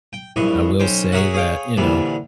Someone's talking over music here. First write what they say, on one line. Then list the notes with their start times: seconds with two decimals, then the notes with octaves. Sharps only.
I will say that, you know
0.13 G5
0.36 A#1 G2 E3 D#5 C#6
0.79 B1 C#4 C5 G5
1.12 F#4 G#4 A#4 C#5 E5 F#5
1.34 G#4 C#5 F5 G5
1.77 C2 A#2 D3 E3 G3